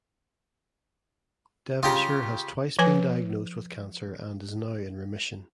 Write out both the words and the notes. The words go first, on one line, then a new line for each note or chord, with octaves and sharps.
Devonshire has twice been diagnosed with cancer and is now in remission.
C#3 F4 G4 G5 A#5 D#6
F3 B4 G#5